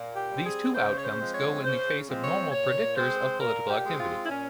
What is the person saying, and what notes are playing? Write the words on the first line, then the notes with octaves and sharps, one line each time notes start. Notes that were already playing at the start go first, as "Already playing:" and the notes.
These two outcomes go in the face of normal predictors of political activity.
Already playing: A#2
G4
G3 C4
G#4
C#3 C5
C#5
C5
F3 G#3 C4
C#5
C#3 C5
F3 G#3 C4
C#5
A#2 C#5
G#3 C4 C5
A#2 A#4
G4
G#3 C4
F4
E4
A#2 C#4